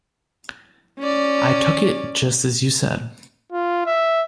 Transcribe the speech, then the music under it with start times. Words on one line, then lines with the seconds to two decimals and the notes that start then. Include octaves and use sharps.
I took it just as you said.
1.00 C#4 D5
3.52 F4
3.86 E5